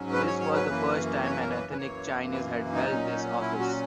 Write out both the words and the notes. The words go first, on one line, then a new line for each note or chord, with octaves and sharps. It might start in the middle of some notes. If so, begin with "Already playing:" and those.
This was the first time an ethnic Chinese had held this office.
Already playing: G#2 F#3 C#4
B4
C#5
C#5
B4
F#2 E3 A#3 C#4
C#5
B4
A#4
B4
B4
F#2 E3 A#3 C#5
B4
D#4
A#2 F#3 C#4
E4
F#4